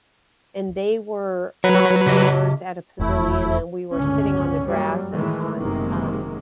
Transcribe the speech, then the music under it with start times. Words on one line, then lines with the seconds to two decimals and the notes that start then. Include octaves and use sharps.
and they were outdoors at a pavilion, and we were sitting on the grass and on, um,
1.64 F#3 B4 C#5
2.07 C#3 G4 D#5
3.00 F1 E2 A3 E4
3.94 G1 C#2 A2 D3 C#4
4.66 F#2 F#3 G3 A#3
5.12 A2 D#3 E3 G#3 A3
5.58 F#1 F#2 C3 D#3 G#3 A#3